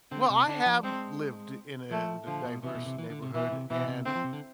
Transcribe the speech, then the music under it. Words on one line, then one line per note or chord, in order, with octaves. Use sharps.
Well, I have lived in a di diverse neighborhood and
D3 C4
C3
D3 D4
F3
G#3 C4
F3 A3
D3 F3
B2
C3 E3
B2
C3
E3
D3
C3
B2 E3
C3
B2 E3
C3
D3 C4
F3
C3
D3